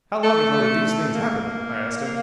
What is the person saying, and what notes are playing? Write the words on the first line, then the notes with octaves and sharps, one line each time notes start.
"How long ago did these things happen?" I asked him.
A3 A4
A#3
F5